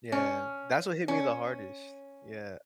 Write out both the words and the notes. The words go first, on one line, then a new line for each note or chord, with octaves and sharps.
Yeah. That's what hit me the hardest. Yeah.
C#4
C#4